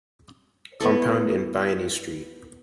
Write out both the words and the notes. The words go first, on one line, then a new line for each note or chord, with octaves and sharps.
Compound in Bayani Street.
B3 E4 A4